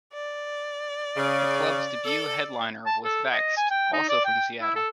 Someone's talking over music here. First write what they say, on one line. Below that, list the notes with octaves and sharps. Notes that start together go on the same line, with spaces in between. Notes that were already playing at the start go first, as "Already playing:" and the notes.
The club's debut headliner was Vexed, also from Seattle.
D5
C#3
A4
A5
A4
D#5
G#5
G5
D#4
D5
G5
E4
A4